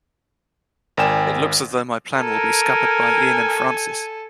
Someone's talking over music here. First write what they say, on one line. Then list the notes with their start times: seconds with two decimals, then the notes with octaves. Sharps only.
It looks as though my plan will be scuppered by Ian and Francis.
0.97 G#1 A#4 D5 G5 G#5 E7
2.17 A4 A#4 G#5